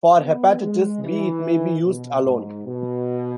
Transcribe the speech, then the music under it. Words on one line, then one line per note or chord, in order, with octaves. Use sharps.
For hepatitis B it may be used alone.
B3
G#3
E3
B2
G#2
B2